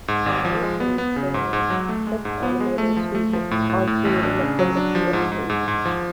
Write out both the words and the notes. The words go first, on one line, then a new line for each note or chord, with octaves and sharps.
Along with Hayes, there were six animators who worked on creating the fantasy imagery.
G#2
G#1
F3
G#3
B3
B3
C#3
G#2
G#2
F#3
A3
G#3
G#2
B3
G#3
A3
F3
A3
F3
A2
A2
A2
A1
D4
C#3
F#3
D4
F3
G#2
G#2
G#2
G#2
F3